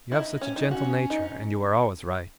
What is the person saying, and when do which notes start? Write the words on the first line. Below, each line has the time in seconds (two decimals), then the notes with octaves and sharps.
You have such a gentle nature, and you are always right.'
0.12 D#4 E4
0.41 C#4
0.56 D#4
0.70 C#4 F#4
1.10 D#4